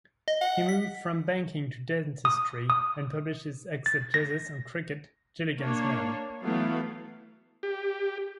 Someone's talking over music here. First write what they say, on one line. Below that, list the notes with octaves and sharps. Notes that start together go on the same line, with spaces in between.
He moved from banking to dentistry, and published his exegesis on cricket, "Gilligan's Men".
D#5
F#5
B6
D#6
D#6
A6
A#6
A#3 D4 C#5
E3 F#3 A3 B3 E4 F5
G4